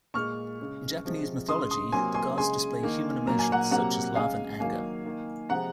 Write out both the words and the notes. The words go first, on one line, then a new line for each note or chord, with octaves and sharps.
In Japanese mythology, the gods display human emotions, such as love and anger.
A#2 G#3 C#6 F6
C#3 G#3
C3 F3 G#3
C#3 G#3 C6 D#6
C6 D#6
C3 F#3 A#3 G#5 C6
G#5 C6
C#3 G#3 G#5 C6
D#3 A#3
A#2 F#3 A#3 A#5
G#5
F#5 A#5
C3 F#3 A#3 F#5 A#5
C#3 G#3 F5 G#5
D#3 F#3 A#3 F5 G#5
D#3 A#3
C3 F3 G#3 F#5 A#5